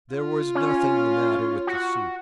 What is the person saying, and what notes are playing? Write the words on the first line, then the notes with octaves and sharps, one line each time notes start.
There was nothing the matter with the soup.
F4
C#4
F#4